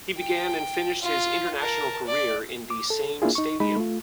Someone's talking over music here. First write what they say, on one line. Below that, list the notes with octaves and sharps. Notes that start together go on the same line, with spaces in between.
He began and finished his international career in the same stadium.
G5
F4
A#4 A5
D5
D6
A4
A#3 D4 E4 F4 G#4
D#4 C#6
G#3 D#4 B5
A3 F4